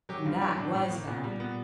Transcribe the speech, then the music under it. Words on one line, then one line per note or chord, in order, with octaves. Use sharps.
And that was bad.
F#3 G4
G2 F4
F#3 E4
A2 D4
A2
A2 A#3
A#2 B3
G3
A#2 B3